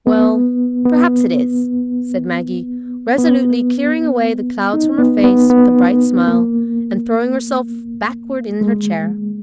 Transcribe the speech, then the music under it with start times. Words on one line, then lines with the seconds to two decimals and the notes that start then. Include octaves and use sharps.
"Well, perhaps it is," said Maggie, resolutely clearing away the clouds from her face with a bright smile, and throwing herself backward in her chair.
0.07 B3
0.85 B3
3.18 B3
4.73 D#4
4.98 B3
5.24 B3
5.50 B3
6.28 A#3
8.61 G#3